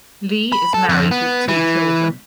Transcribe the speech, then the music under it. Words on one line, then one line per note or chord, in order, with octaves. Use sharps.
Lee is married with two children.
B5
A4
F2
B3
E3